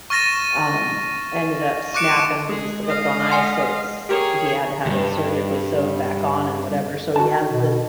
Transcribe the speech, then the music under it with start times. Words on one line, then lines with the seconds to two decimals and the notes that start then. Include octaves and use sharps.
um, ended up snapping, 'cause he slipped on ice, so it's he had to have it surgically sewn back on and whatever, so he has this
0.10 C#6 F6 A6 A#6 D#7 E7
1.94 C#6 D6 F#6 C#7 D7 E7
2.49 G#3 G#4
2.85 D#5 F5
3.32 F#5 G#5 C6
4.09 G4 G#4 A#4 C#5
4.86 D2 G2
7.16 F#4 A5
7.52 B2